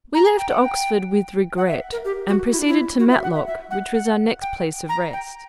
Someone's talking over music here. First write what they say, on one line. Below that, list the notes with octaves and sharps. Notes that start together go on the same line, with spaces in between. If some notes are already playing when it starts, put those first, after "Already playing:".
We left Oxford with regret and proceeded to Matlock, which was our next place of rest.
A#5
G5
F#5
G5
F#5
E5
A#4
G4
F#4
E4
D4
E4
F#4
E5
F#5
E5
E5
F#5
F#5
G5
A#5
G5